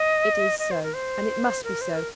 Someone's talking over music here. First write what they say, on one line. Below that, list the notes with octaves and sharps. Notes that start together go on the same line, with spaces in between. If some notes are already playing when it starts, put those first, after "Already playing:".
It is so, and it must be so.
Already playing: D#5
D#5
C5
A#4
C5
A#4
C5
A#4